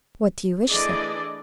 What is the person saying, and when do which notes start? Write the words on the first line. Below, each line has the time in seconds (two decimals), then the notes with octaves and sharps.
"What do you wish, sir?"
0.69 E3 A3 D4 G#4 D5 D#5